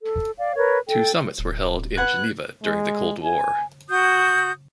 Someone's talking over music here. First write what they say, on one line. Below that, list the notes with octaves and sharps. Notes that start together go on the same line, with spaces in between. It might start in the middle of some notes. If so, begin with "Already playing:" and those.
Two summits were held in Geneva during the Cold War.
A4
D5 F5
A#4 B4 C#5
A4 G5
D1
B4 F#5 F#6 G#6
G#3
G#5
F#4 D#6 G6